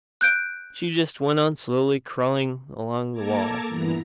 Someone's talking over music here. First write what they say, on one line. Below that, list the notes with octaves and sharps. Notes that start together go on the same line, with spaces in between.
She just went on slowly crawling along the wall.
F#6 G6 D7
A#3 A4 A5 A#5 D6 G#6
G2 A#2 E3 B3 E4 A#5